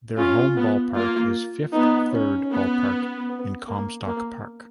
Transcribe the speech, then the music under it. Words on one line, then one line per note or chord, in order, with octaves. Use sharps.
Their home ballpark is Fifth Third Ballpark in Comstock Park.
C#4 F4
B3
A#3 F4
B3 D#4
C#4
B3
B3
A#3
A#3